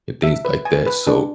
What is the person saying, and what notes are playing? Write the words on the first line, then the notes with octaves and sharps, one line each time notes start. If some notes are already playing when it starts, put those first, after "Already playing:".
and things like that. So,
E5
B4
G#5
B4
D4